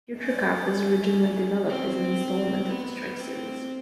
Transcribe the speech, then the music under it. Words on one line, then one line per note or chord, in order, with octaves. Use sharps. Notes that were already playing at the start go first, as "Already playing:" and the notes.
"Future Cop" was originally developed as an installment of the "Strike" series.
C#4
C4
B3
C4